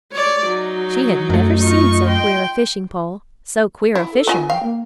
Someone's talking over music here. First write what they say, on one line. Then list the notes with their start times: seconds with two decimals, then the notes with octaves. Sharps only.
She had never seen so queer a fishing-pole--so queer a fisherman.
0.12 C#5 D5
0.46 F#3 D#4
1.30 F#2 A3
1.62 F4 D#5 C#6
2.08 G5 C6
3.95 E4
4.13 A4
4.27 B3 F4 D#5 G#5
4.50 F5 G5
4.63 A#3